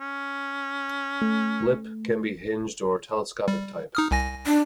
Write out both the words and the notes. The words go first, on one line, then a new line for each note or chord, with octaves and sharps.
Lip can be hinged or telescopic type.
C#4
A3
G3
D#4 D#6 F6
C2 G#5 A#6
D4